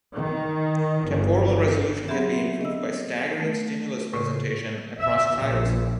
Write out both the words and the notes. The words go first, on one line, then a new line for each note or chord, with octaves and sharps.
Temporal resolution can be improved by staggering stimulus presentation across trials.
D#3
G1
F#3 B3 C4 G4 G#4 E5
D#5 E6
A3
A2 C#3
E5
A#1